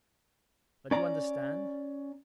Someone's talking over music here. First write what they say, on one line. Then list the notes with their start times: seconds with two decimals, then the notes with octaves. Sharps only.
Don't you understand.
0.91 C#4 D5 A#5